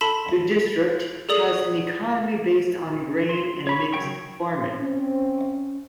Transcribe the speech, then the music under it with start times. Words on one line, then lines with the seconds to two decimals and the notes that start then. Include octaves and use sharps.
The district has an economy based on grain and mixed farming.
0.01 A4 A5 B5 C6 B6 E7
0.66 A6
1.29 G#4 A4 D5 D#6 F#7
3.29 C6
3.67 C#5 B5 C#6
3.93 C#3 F#3 C#5 G5 C#6
4.76 C4 C#4